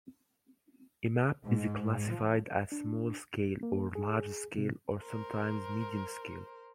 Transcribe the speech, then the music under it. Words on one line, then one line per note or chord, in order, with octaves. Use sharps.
A map is classified as small scale or large scale or sometimes medium scale.
G#2
F3
D4
A#3
G#4
G#2 C3
A#4 C5